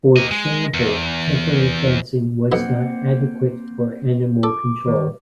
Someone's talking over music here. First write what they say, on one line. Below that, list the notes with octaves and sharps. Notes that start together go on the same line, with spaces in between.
For example, temporary fencing was not adequate for animal control.
A#3 D#5
G#3
E2
B1 F2 B2 A#3 C4 F#5
A4 D6
D#3